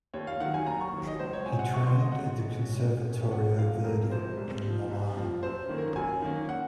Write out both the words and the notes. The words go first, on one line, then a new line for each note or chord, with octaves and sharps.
He trained at the Conservatorio Verdi in Milan.
D#2 C#5
F5
D#3 F#3 F#5
G#5
D#2 A#5
C#6
D#3 F#3
D#5
C#2 C5
C#5
C3 F#3 G#5
F#5
C#2 C#6
C6
C3 F#3 D#5
F#5
A#2
G#3 C#4
A#2
G#3 C#4
F2 F#5
C3 F3 G#3 F5
F2 A#4
C3 F3 G#3 C5
C2
A#2 F3
C2
A#2 F3
F#2 C5
D#3 A#3 C#4
A#4
F#2 G#5
D#3 A#3 C#4
F#5